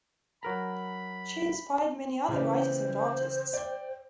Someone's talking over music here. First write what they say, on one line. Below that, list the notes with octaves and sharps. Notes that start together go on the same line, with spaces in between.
She inspired many other writers and artists.
F#3 A#4 A#5 B5
C#3 E3 G4 C5
D5 G5